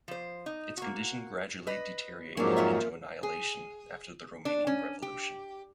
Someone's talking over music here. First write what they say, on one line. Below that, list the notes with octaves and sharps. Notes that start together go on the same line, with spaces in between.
Its condition gradually deteriorated into annihilation after the Romanian Revolution.
F3 C5
D#4
A#3 F#4
B4 D#5
F2 G#2 F#3 A#3 C#4 D4
C#4 F4 E5
G#4
D4
C#4
G4